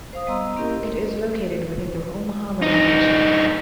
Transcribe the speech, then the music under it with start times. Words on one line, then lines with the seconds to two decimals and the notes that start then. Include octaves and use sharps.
It is located within the Omaha Reservation.
0.13 C5 F5 D#6
0.27 G3 B3 D#5 A#5 C6 E6
0.57 A#3 C#4 E4 G4 A#4 D#5
2.62 G2 D#4